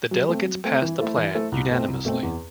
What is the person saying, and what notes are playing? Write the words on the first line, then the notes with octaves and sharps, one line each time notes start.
The delegates passed the plan unanimously.
F#3
A3 C4
F#3
A3 C4
E3
A3 E4 A4 C5
E3
A3 E4 A4 C5
C2
B2 A3 C4
C2
B2 A3 C4
E2